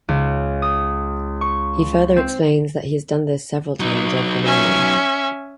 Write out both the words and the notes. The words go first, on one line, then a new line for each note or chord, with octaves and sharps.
He further explains that he has done this several times over the millennia.
C#2
D#6
C#6
C4
F#3 D#4
C#4 E5 G#5